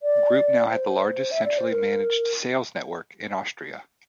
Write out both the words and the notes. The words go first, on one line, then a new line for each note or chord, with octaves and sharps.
Group now had the largest centrally managed sales network in Austria.
D5
C5
E5
D5
C5
A#4